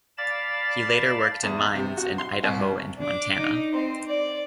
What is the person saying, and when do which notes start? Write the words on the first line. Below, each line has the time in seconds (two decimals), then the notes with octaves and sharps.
He later worked in mines in Idaho and Montana.
0.18 D5 F5 A5 B5 A6
1.43 E2
1.75 C3
1.97 F#4
2.18 C6
2.43 C2
2.98 D4 D6
3.38 D#4
3.74 C4 C5
4.07 D5